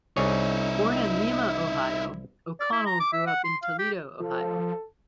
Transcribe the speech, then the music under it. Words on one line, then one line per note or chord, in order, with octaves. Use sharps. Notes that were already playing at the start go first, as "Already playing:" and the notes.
Born in Lima, Ohio, O'Connell grew up in Toledo, Ohio.
C2 D#4 E4 G#4 C#5
D5
E4
A#5
D6
E5
F#5
C6
F5
G4
F3 A4